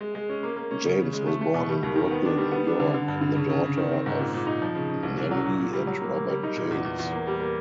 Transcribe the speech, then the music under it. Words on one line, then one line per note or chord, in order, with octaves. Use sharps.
James was born in Brooklyn, New York, the daughter of Nellie and Robert James.
G#3
G#3
C#4
A#3
A#3
C#4
C#3
C#3
G#3
A3
A3
B2
G3
D#2
D#3
B3
D4
G3
B3
D4
D3
D3
G2
D3
C#3
C#3
C#3
D#3
C4
G#2
A#2
A#2
D#4
F3
C#3
C#3
C2
C2
F#3
A#2
A#2
G3
F#3
A#3
A#3
G3
D#4
A#2
E2
E2
E2
A#3
G3
A#3